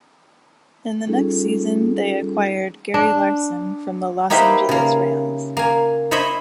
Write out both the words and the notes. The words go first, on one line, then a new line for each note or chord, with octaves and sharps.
In the next season they acquired Gary Larsen from the Los Angeles Rams.
G3 C#4 D#4 F4 G#4 A4
D4
A#3 D#4 E4 G4 B4 C5
C#3 A#3
A#3 G#5
E4 C5 C#5 D#5 E5 B5